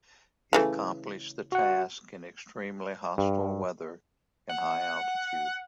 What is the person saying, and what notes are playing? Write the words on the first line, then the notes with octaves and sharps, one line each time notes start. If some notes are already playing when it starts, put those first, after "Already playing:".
He accomplished the task in extremely hostile weather in high altitude.
C#3 E3 A3
F#4 F#5
G2
F#5